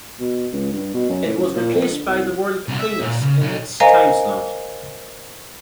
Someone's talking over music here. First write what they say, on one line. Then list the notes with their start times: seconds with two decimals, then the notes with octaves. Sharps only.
It was replaced by "The World Between Us" in its timeslot.
0.20 B2
0.53 C#2
0.73 G2
0.94 B2
1.09 F#2
1.26 A2
1.38 F#2
1.56 A#2
1.74 F2
1.92 D3
2.07 C2
2.68 C2 D3
2.79 E5
3.01 A#2
3.22 C#3
3.41 B2 F#3
3.80 A#4 C5 D#5 F5 G#5 A#5